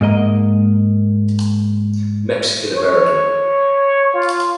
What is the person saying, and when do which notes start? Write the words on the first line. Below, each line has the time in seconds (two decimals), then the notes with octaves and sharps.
Mexican American.
0.01 G#2 A#3 D#5 A#5
2.75 C#5
4.14 F4